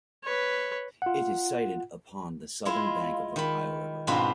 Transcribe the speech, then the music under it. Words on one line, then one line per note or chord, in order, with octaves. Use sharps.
It is sited upon the southern bank of the Ohio River.
B4 C#5
F4 F#5
G#3 E4 F4
D#3 B5
G#2 B2 C4 D4 F4 B5